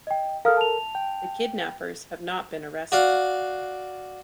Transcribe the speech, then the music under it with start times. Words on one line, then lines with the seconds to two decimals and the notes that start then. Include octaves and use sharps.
The kidnappers have not been arrested.
0.07 D#5 G5
0.45 A4 A#4 F5 D#6 F6
0.57 A5 F7
0.95 G5
2.92 F#4 D5 F5 F#5